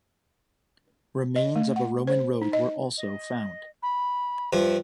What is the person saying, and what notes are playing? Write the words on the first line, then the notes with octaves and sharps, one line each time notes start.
Remains of a Roman road were also found.
D#5
A3
F#5
C5
D#4
D#5
D#5
B5
G2 F3 E5